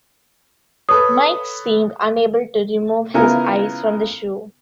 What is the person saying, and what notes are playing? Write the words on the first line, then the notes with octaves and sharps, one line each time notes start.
Mike seemed unable to remove his eyes from the shoe.
A4 B4 C#5 D#6
C#3 B3 E4 F4 A#4 G#5